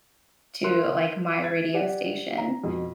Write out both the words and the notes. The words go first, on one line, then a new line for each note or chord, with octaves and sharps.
to, like, my radio station,
A#4 E5 C6 F#6
G#6 A6
G4 D5 F#5
A#5
F2 B2